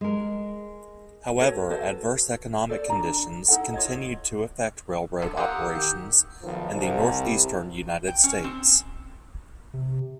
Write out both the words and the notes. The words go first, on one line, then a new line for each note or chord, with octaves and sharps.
However, adverse economic conditions continued to affect railroad operations in the northeastern United States.
G#3 A#4
F#4 A4 B4 C#5
F#4 A4 B4 C5
A4 C5 D5
D4 A#5
D#4 E4 A4 F#5
F4 C#5 D#5
D3 A4
A#3 F4 G4 F#5 A#5 D#6 E6
A#5
D#3 G6
B1 D#3 F3
C2
G5
C#4
C4
C3